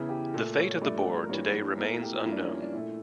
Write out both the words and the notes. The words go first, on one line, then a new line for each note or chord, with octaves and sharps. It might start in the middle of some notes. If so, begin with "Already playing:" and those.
The fate of the board today remains unknown.
Already playing: E2 C#3 E3 E4
G4
A#2 A3 A4
C#5
G2 F3 A3 D5
A#4
G2 E3 G3 A#3 C#5
E2 E3 A3 A#4
A#4
G4
F4
G2 F3 A#3 E4
D4
C#4
D4
D4
A#2 A3 E4